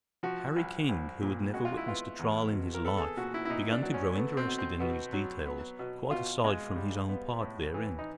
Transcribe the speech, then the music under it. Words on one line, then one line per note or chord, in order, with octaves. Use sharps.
Harry King, who had never witnessed a trial in his life, began to grow interested in these details quite aside from his own part therein.
F3 F#4
C2
C2
A#2
G#3 F#4
F4
E4
B3 F4
E2
B2
A#4
B3 A4
A4
G#4
A#2 F#4
E4
E4
A#2 D#4
D4
F#3
C#4
A3 B3
C4
B2
C4
B2 B3
F#3
B3
B2
B2 F4
G#3
G3
B3
A2
E3
D#4